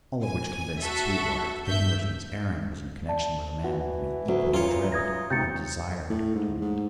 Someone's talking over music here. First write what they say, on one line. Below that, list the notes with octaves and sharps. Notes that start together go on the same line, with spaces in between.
All of which convinced Sweetwater that the Englishman's errand was in connection with a man whom he equally dreaded and desired to meet.
G#5
F#4 A4 E5
G2 E5 G6
D5 A5
E3 F#4
D2 F#3
F#2 F4 C#5
D#6 G#6 A#6
G#2 C3 F#4 G6 A6 C#7
A2
G#2
G#2